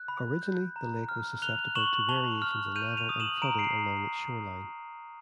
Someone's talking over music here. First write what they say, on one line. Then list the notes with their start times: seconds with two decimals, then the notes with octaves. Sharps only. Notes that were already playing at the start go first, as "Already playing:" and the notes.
Originally the lake was susceptible to variations in level and flooding along its shoreline.
Already playing: F#6
0.08 B5
0.42 G6
0.76 A#5
1.09 F6
1.42 F#6 F7 G7
1.75 C#6 E7 F#7
2.09 A5 F7 G7
2.42 F6
2.76 G6 D#7 F7
2.97 D#7 F7
3.09 D#6
3.20 E7 F#7
3.42 A#5 D7 E7
3.59 C7 D7